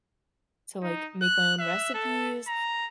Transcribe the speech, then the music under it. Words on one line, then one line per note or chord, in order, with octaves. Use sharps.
to, like, make my own recipes,
D#4
F#6
E5
A4
A#5